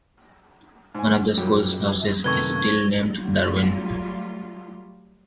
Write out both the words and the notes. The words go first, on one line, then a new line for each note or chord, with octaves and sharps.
One of the school's houses is still named Darwin.
G#2 G#5
F#2 A#2 F#3 G3
F#2 C3 D#3 A3 B4 C#6 G#6 G7
F#3 G3 A3 F4